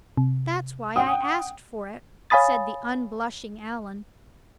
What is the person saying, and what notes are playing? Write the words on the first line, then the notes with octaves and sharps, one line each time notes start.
"That's why I asked for it," said the unblushing Allan.
C3
F#5 G5 D#6
C#5 F5 G#5 B5 D#6 A6